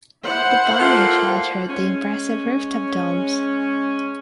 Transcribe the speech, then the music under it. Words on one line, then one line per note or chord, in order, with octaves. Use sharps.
The bombing shattered the impressive rooftop domes.
E4 C5 F#5
A3 A#3 F4
G#3 C#4